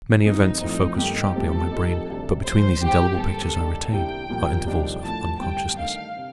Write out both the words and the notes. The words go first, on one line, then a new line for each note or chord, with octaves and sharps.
Many events are focussed sharply on my brain, but between these indelible pictures I retain are intervals of unconsciousness.
G1 G2 F3 C4 D#4 F4
A#1 A2 F3 A3 C4 D#4
G2 D#3 A#3 D#4 G4 A4
G2 F3 A3 C4 G4 A4
A#2 F3 C4 D#4 G4
D2 C3 G3 D4
F2 D#3 A3 C5
A2 F3 C4 G4
G2 D3 G3 A#3 A4
D#2 D#3 A#3 D4
C2 C3 G3 A#3 D4 G5
A#1 A#2 G3 A#3
F1 D#2 D#3 G3 D4
A#1 A2 A3 A5
A1 G2 D3 G3 G5
D#3 A3 D4 F5
C3